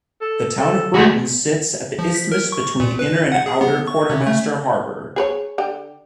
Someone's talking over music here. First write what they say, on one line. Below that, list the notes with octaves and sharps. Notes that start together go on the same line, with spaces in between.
The town of Burton sits at the isthmus between Inner and Outer Quartermaster Harbor.
A4
A4
A3 F#4 G#4
F3
B6
A#4
C#6
A#2
B4
F#5
G#4
B3
C#6
C3
A3
G#4 B4 C#5
D3 G4